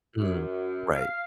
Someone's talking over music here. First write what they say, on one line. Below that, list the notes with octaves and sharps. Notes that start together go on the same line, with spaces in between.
Mm, right.
F#2
F5